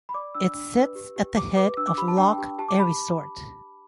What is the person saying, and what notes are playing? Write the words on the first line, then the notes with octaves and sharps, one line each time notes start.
It sits at the head of Loch Erisort.
B5
D5 D6
D4 E6
D4
B4
G4
G4
G4 D6
B4 D6
D4 E6
D6
G4 B5
A5
D4 G5
G4
G4 A5
D6
G4 B5